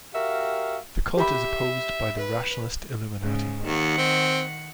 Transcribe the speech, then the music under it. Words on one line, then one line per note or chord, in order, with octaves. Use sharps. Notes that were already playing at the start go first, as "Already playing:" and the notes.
The cult is opposed by the rationalist Illuminati.
F#4 G4 A#4 E5 F5
G4 E5 B5
B4
G#2 C#3
D#2 D#3 F#5
C4